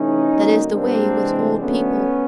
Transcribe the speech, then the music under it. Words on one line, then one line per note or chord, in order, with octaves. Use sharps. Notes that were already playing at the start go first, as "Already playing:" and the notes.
That is the way with old people!
Already playing: C3 E3 A3 C#4 D#4
D3 F#3 A#3
A#2 G3 A#3 C4 D4
C3 E3 G#3
D3 F#3 A3 B3 C#4